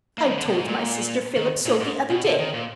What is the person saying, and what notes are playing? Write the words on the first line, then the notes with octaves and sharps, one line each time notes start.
I told my sister Phillips so the other day.
A#3
D#3
D3
B2
G#2
A#2
D#3
A#2
G#2
B2
D3
D#3
A#2